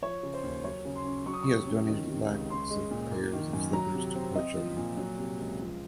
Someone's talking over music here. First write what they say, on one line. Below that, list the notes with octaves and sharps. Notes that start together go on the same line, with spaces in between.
He has donated lacs of pairs of slippers to poor children.
F3 C#5
C#3
C5
D#2
F#3 C#5
C#3
C6
C#4
F#3 C#6
D#6
C3 C#6
C#4
D#3
C3
C#2
C#4 C6
G#3
A#2
A#3
D#3
F#2
F#3 A#5
C3
C4
C4 D#5
F3
A#2
F#3
C3
C#2
F3